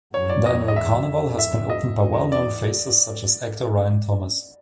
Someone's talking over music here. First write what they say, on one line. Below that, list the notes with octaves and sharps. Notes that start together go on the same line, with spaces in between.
The annual carnival has been opened by well-known faces such as actor Ryan Thomas.
F#2 C#5
D5
F2 D#5
D#5
E2 E5
F2
E5
D#5
E2
D5